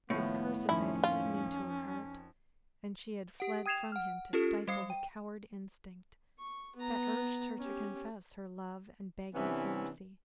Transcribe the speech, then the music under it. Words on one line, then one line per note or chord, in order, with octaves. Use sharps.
His curses had eaten into her heart, and she had fled from him to stifle the coward instinct that urged her to confess her love and beg his mercy.
D#2 A2 F3 B3 C#7
F2 D#3 C#4 E4
F4
G4 F#5
G5 D#6 G#6 C7 E7 F7
F#5 F6
C#4 F4 G4 A4
G3 C5 F5 D#6 C7
G5
C#6
B3 A#5
C#4 G4
C3 E3 B3 C#4 D4 E4